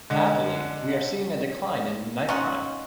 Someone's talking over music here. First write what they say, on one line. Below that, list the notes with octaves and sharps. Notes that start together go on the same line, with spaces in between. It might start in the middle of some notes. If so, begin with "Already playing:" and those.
Happily, we are seeing a decline in knife crime.
D3 G#3
C#4 D#4 F4 F#4